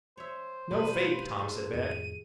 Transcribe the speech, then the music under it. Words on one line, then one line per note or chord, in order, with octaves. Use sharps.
"NO FAKE," Tom sent back.
C5 C#5 E5
B2 G3 A3 F4 B4 D#7
G#2 A4
F2 A2 D#3 G5 D#7